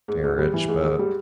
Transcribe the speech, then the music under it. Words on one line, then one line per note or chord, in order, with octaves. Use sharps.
marriage, but
G#2
G#2
G3
E3
G#2
G#2
G3